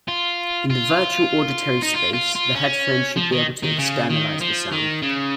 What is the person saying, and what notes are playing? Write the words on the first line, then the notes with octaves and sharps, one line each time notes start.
In the virtual auditory space, the headphones should be able to "externalize" the sound.
F4
F4
D#4
F4
F4
F4
C#4
F3
D#3
D#3
C#3
D#3
F3
D#3
C#3